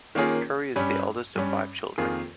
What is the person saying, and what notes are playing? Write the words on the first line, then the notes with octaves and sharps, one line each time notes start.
Curry is the eldest of five children.
D#3 A#3 C#4 F4 G#4
G2 G3 C#4
G2 G3 C#4
F2 D#3 A#3 F4 G#4